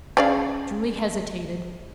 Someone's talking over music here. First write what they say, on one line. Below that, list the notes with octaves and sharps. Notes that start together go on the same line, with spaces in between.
Julie hesitated.
C#3 D5 F5